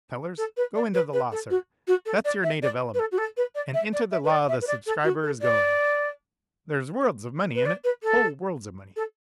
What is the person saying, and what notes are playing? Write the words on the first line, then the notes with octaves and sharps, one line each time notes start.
Sellers--go into the law, sir; that's your native element!' And into the law the subscriber is going. There's worlds of money in it!--whole worlds of money!
A4
B4
D5
B4
B4
A4
F#4
F#4
A4
D5
E5
D5
B4
A4
F#4
A4
B4
D5
E5
D5
E5
B4
D5
E5
B4
D5
A4
F#4
A4
D5
B4
D5
B4
A4
A4